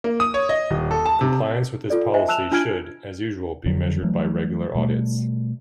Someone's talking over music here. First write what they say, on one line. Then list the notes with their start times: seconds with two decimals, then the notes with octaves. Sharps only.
Compliance with this policy should, as usual, be measured by regular audits.
0.04 A#3
0.20 D#6
0.34 C#5
0.49 D#5
0.70 D#1
0.91 A4
1.06 A5
1.21 C3
1.90 F4 A4 D5
2.14 C5 D#5 E5 G#5
2.28 A5 E6 F#6 E7 F7
2.52 D4 F4 G#5 F6 G#6 D7
3.66 F2 D3 F3 F#3
4.03 E3 F#3 G3 A3
4.75 B2 G3 A3